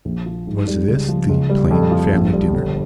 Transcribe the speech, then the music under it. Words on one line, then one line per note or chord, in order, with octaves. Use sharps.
Was this the plain family dinner?
A#1
F3
G#2
G3
C#2
F3
C#2
G3
F2
F3
A#1
G3
G1